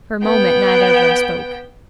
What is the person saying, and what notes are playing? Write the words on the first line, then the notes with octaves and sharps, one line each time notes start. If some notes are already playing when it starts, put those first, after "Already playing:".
For a moment neither of them spoke.
B3 G5